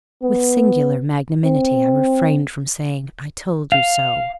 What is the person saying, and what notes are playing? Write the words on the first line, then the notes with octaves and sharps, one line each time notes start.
With singular magnanimity, I refrained from saying, 'I told you so.'
B3
C4
F5